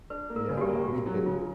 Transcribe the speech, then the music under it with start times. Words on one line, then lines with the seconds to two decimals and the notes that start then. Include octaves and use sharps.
Yeah, me too.
0.10 D4 B4
0.30 A#3
0.36 A#4
0.49 C#3
0.57 F#4
0.61 G4
0.68 A#3
0.87 A#3 F#4
1.06 F#3
1.25 C#3 F4